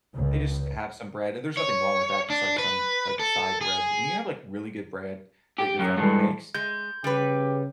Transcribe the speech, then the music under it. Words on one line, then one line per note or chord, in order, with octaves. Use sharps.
they just have some bread and there's nothing wrong with that, just like some, like, side bread but when you have, like, really good bread that your family makes,
C#2
C#5
D4
B4
A4
G#4
G4
F#2
G2 E3 G#3 A4
G#3 G6
C#3 G3 G4 B4